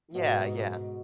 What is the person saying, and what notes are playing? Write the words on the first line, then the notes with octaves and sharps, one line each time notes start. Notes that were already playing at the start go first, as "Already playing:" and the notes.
Yeah, yeah.
G#2 B2